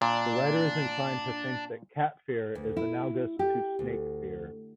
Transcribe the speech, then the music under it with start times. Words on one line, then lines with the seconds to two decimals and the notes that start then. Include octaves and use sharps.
The writer is inclined to think that cat-fear is analogous to snake-fear.
0.02 A#2 D4
2.55 D2
2.77 E4
3.39 G4
3.79 D2